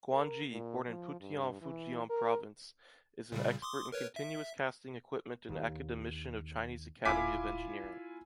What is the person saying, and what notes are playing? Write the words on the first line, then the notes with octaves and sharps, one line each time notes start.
Guan Jie, born in Putian, Fujian Province, is an expert in continuous casting equipment and academician of Chinese Academy of Engineering.
A#4
A#2
F3
G2
E3
A#4
A#2 C#3 G3
C6 D6 D#6
A#4 B4 C#5
E5
D#2 D4
D#1 E4 F4 G#5 D6 B6
A#3